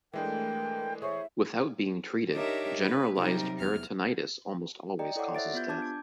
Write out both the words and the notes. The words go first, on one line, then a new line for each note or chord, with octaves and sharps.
Without being treated, generalised peritonitis almost always causes death.
E3 G#3 A3 D4 A#4 G5
E3 G#4 C5 C#5 E5
D4 D#4 G4 A#4 C#5 E5
B4
C3 F#3 G3 D#4 A#4
E2 F6
D5 D#5 G5 A#5
E4 A4 C#5 D5 F#5 D6
C5 E5 A6 D7
B3 F4 G4 G6 G#6
D4 A5 D6 G6 G#6
D7